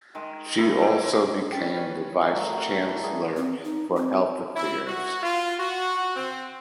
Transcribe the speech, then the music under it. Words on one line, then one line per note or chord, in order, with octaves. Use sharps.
She also became the vice chancellor for health affairs.
D#3 G#3
A3 E4 G#4 A#4
A2 E4 D6
G#3 A#4
C#4 B4 G5 A6 B6
G3 A3 A#4
F#4
E3 D#4
G3 G#4 G#5
C4
D#4
C4
E4
F#4
F4
F#4
C4